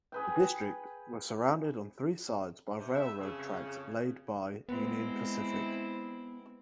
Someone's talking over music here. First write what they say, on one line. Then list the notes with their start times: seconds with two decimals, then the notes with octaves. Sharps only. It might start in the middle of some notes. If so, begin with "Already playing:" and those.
The district was surrounded on three sides by railroad tracks laid by Union Pacific.
0.12 G#4 B4 G5
2.78 G2 C3
2.95 A3 B4 E5
3.21 F2 C#3
4.69 G#3 B3 C4 E4